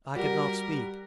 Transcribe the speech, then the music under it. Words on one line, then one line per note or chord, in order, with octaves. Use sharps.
I could not speak.
G3 F#4 A#4